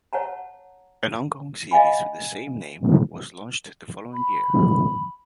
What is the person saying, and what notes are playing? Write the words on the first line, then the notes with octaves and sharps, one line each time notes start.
An ongoing series with the same name was launched the following year.
C#5 F#5 A5 A#5
D#5 F5 F#5 G#5 B5
B5